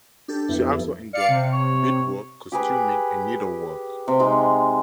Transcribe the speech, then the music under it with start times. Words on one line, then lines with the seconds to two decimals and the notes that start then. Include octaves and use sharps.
She also enjoys beadwork, costuming, and needlework.
0.28 D4 G4 A4
0.49 F2 B3 E4
1.13 D5 F5 C#7
1.28 C3
1.53 C#5
2.52 G4 G#4 B4
4.08 C3
4.19 C3 G#3 D#4